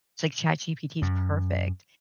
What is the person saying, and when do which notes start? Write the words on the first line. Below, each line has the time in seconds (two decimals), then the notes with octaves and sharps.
it's like ChatGPT is perfect.
1.02 F#2